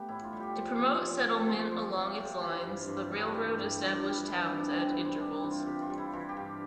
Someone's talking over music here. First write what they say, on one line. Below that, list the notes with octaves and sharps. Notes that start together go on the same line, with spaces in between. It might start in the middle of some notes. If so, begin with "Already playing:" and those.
To promote settlement along its line, the railroad established towns at intervals.
Already playing: A3 B3 G4
A2 E4
F4
G3
G4
F3
F3
C3
C3
F3 F4
F3
C3
C3
E3 F4
G2
G2
G3
F4
E3 G4
G2
G2 F4
D4
G3
E4
E3 D4
D4
C3
D4
C3 C4
B3
G3
C4
E3 D4
E4
C3
F4
C3 G4
F4
G3
E4
E3 F4
G4
G2